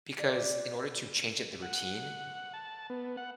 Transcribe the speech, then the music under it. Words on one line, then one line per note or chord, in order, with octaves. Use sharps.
Because in order to change up the routine,
D5
F#5
A5
B3
F#5